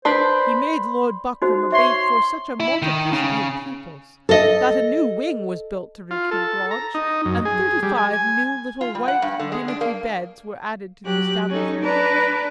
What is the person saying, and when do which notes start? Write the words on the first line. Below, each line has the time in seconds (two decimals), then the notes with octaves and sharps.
He made Lord Buckram a bait for such a multiplicity of pupils, that a new wing was built to Richmond Lodge, and thirty-five new little white dimity beds were added to the establishment.
0.05 D4 B4 C5 D5 B5 C6
1.42 D#4 F#4 C5
1.72 C#5 E5 C6
2.60 E4
2.82 D#3
3.13 C#3
4.29 A4 D#5
6.11 F4
6.31 A4
6.71 A#5
6.95 D#4
7.25 F#2
7.45 G#4
7.83 G3
7.98 G#5
8.13 G#5
8.81 F4
8.95 G3
9.08 F#5
9.22 G2
9.39 D3
9.52 G#3
9.68 D4
9.81 A#3
11.03 F#3 G4 F#6
11.50 C#4 D#4 A4
11.84 D4 B4 D5 A5 A#5